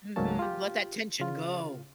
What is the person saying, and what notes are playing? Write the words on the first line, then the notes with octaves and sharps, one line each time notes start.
Mhm, let that tension go.
C#2 G#2 F#3 A#3 C#4 A5
F4 G4
C#3 F4